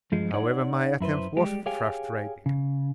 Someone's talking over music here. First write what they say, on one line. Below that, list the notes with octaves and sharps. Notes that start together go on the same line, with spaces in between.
However, my attempt was frustrated.
G2 F3 G#3
D#4 C#5 D5 F#5
F#2 E4 B4 C5
G3 G#3 G4
G4 G#4 C#5 F5 G5 G#5
C#3